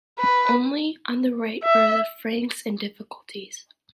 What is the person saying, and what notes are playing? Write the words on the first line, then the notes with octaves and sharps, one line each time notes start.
Only on the right were the Franks in difficulties.
B4
E5